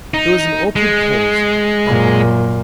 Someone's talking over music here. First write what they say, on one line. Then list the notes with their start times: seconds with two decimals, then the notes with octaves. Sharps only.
There was an awkward pause.
0.14 D#4
0.76 G#3
1.87 F#2 A#2